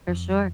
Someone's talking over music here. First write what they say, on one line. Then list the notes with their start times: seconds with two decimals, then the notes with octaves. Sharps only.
For sure.
0.08 F2